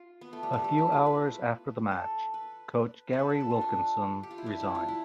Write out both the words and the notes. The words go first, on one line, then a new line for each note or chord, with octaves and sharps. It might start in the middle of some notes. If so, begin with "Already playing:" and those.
A few hours after the match, Coach Gary Wilkinson resigned.
Already playing: F4
B3
A3
G3
G3
A3
E4
F4
B4
A4
B4
B4
A4
B4
A4
F4
D4
G4
F4
E4
D4
E4
F4
E4